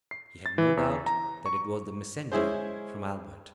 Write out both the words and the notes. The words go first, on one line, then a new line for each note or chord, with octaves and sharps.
He had no doubt that it was the messenger from Albert.
C7
A6
E3
E2
A#5
C#6
G#3 C#4 E4 G#4 C5